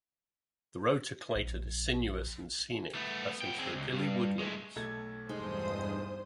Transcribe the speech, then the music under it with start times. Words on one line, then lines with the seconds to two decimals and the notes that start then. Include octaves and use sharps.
The road to Clayton is sinuous and scenic, passing through hilly woodlands.
1.35 A#1
2.95 A3 B3
3.42 B3 G5
3.58 C4 G#4
3.76 C#2
3.92 G2 G3
4.39 G#3 A3
4.76 B1 A3 G#6
5.29 E2 G2 G#3 D#4 G#4 C5 D#6